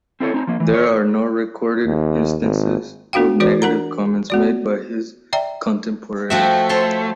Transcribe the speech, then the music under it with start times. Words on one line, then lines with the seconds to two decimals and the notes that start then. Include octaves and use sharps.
There are no recorded instances of negative comments made by his contemporaries.
0.20 C4 E4 A4 B4 C#5
0.34 C4 D#4
0.47 F3 A#3
0.60 E3
0.74 C#5
1.85 D#2
2.42 G#1
3.13 B3 D4 F#4 F5 G5
3.40 E3 F#4 B4 D5
3.62 D4 A#4 F#5 A#5
4.30 B3 F#4 D5
5.33 D5 E5 G5 A#5
6.30 F3 A3 F#4 E5 G5
6.69 A4 C5 C#5 C6